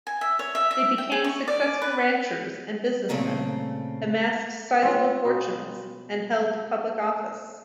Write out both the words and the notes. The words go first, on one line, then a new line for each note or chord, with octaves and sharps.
They became successful ranchers and businessmen, amassed sizable fortunes and held public office.
G#5
E5
C#5
E5
E5
G5
G#4
C#6
D5
B4
A#2 C#3 A3 C4
C4 C#4 F4
B2